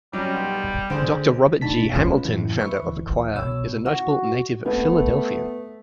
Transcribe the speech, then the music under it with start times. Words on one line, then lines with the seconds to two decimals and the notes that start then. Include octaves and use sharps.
Doctor Robert G. Hamilton, founder of the choir, is a notable native Philadelphian.
0.13 F#3 G3 C#4 D#5
0.34 B1 G4
0.90 D2 D3 G#4 C5 G5
1.61 B2 A3 D4 D#4 A5 B6
1.93 G#3 C#4 F4 B4
2.25 F#2 A2 E3
2.58 B4 E5 C#6
2.82 D2 E3
3.35 C2 B2 C#5 E6
3.86 F#4
4.66 A3 B3